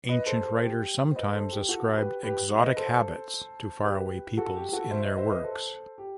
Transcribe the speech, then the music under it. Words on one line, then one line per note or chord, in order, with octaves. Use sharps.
Ancient writers sometimes ascribed exotic habits to far-away peoples in their works.
B4 D#5
A4 C5
A4 C5
G4
C5
B4 D#5
A4 C5
G4
F#4 A4
G4 B4
G4 B4
B4 D#5
A4 C5
G4 B4
F#4 A4
G4
F#4 A4
C5 E5
B4 D#5
C5 E5
B4 D#5
A4 C5
G4